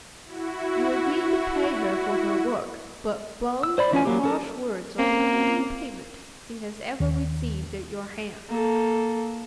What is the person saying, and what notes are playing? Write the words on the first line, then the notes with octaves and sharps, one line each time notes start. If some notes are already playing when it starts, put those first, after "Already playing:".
You agreed to pay her for her work, but blows and harsh words are the only payment she has ever received at your hands.
E4 F#4
E6
C5 D5 B5
E3 C#4 F4 G#5
F#3 A#3 G4
C#4 A4 A#4
A#3 C4 C#4
D#2
A#3 A4